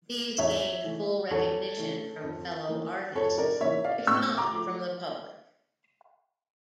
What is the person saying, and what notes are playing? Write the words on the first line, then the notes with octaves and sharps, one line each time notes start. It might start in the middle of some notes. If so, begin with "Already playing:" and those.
These gained full recognition from fellow-artists, if not from the public.
E2 C#5 E5
E3 A3
E2 A4 C#5
E3 A3
F2
E3 A#3
F2 A4 C#5
A#4 D5
E3 A#3 C#5 E5
D5 F5
A2 C#6 E6
A#5 D6
F3 A3